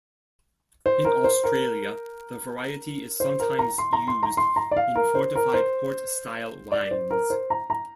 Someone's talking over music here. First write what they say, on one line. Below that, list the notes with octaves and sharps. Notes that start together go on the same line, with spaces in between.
In Australia, the variety is sometimes used in fortified port-style wines.
C5
A#4
C5
A#4
C5
A#4
A#5
C6
A#5
C6
A#5
C6
A#5
D5
F5
A#4
C5
A#4
C5
D5
C5
A#4
C5
A#5
A#5